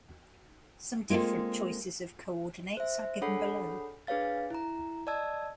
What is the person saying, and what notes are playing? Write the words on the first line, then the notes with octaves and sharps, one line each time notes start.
Some different choices of coordinates are given below.
G#3 A#3 C4 F4 A4
C5 E5
D4 G#4 A4 C#5 F#5 B5
D4 G#4 B4 C#5 F5 A6
E4 A#5
D5 D#5 A5 E6 G#6